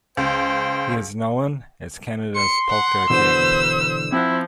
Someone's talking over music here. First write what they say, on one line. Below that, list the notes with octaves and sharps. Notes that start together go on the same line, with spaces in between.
He is known as Canada's Polka King.
C#2 C5 G5
C6 C#7
F#5
B2 D3 E3 B4 C5 E6
F3 C4 E4 F#5